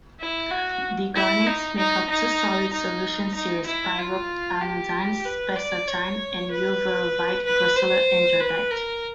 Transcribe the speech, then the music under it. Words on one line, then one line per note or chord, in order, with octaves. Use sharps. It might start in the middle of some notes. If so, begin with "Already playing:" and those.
The garnets make up two solid solution series: pyrope-almandine-spessartine and uvarovite-grossular-andradite.
E4
F#4
E4
D#4
D#4
D#4
D#4
D#4
E4
F4
G4
B4
D5
C#5
B4
B4
C5
B4
A#4